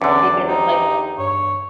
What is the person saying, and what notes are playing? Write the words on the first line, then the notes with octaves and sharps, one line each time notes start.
because it's, like,
E2 D3 C#4 D5
D#4 G4
G2 C#5